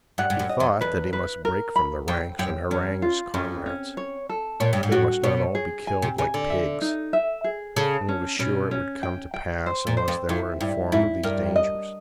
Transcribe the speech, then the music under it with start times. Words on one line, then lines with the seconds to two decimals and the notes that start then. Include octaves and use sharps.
He thought that he must break from the ranks and harangue his comrades. They must not all be killed like pigs; and he was sure it would come to pass unless they were informed of these dangers.
0.18 G2 F#5
0.30 G2
0.39 F#2
0.49 D#5
0.60 F2
0.81 E2 B4
1.13 B4
1.45 A#4
1.76 B5
2.08 F2 G5
2.39 F#2 G5
2.71 E2 C#4
3.02 F4
3.34 F2 C#4
3.66 C#4
3.97 C#5
4.29 A4
4.60 A#2 C#5
4.73 G2
4.83 G#2
4.92 A2 F#4
5.23 B2 C#5
5.55 G#4
5.87 G#5
6.02 C3
6.18 C#3 G#5
6.34 D3
6.50 E5
6.82 D#4
7.13 E5
7.44 G#4
7.76 C#3 A4
8.09 C#4
8.39 B2 C#4
8.71 C#4
9.03 G5
9.34 G5
9.66 C5
9.87 A#2
9.97 C5
10.08 F2
10.29 F2 E4
10.61 G2 E4
10.92 G#2 E4
11.23 G2 A#4
11.56 D#5